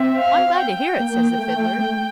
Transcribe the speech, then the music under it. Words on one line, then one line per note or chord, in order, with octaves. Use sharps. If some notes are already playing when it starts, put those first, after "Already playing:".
"I am glad to hear it," says the Fiddler.
Already playing: C4 E5
F5
G5
A#3
A3
A3